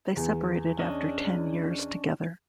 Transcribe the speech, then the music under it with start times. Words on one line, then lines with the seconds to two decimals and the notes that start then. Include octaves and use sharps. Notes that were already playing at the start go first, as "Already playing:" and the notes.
They separated after ten years together.
0.17 E2
0.79 C#4 D4 D#5